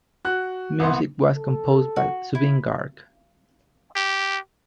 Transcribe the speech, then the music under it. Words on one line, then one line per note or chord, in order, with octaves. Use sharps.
Music was composed by Zubeen Garg.
F#4 F#6
C2 B3 C6
A4
F#4
E4
G4